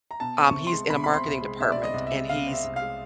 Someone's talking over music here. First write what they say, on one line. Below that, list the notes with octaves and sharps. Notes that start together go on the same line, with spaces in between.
um, he's in a marketing department, and he's
A#5
B2 A5
C4
C#6
C2
C6
G#3
B2 B5
C4 B5
C6
C2
G#3
B2 E5
D5
C4
D#5
C2
E5
G#3
B2 F5
C4
E5
C2
F5
G#3